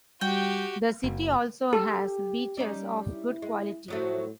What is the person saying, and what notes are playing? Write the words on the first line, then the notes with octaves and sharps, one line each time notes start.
The city also has beaches of good quality.
G3 F#4 G4 G5
F#1
G4 A4
G3 C#4 D#4
E4
G#3
A2 F3 F#3 A3